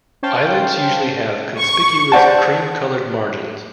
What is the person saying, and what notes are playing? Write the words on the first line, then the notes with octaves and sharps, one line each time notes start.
Eyelids usually have conspicuous cream-coloured margins.
C#4 C5 F5 G5 A5
C#6
C5 D5 F#5 A5